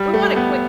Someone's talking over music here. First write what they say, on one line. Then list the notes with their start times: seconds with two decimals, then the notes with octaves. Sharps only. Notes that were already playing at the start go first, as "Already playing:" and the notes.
We want it quick
Already playing: G3
0.14 A3
0.36 B3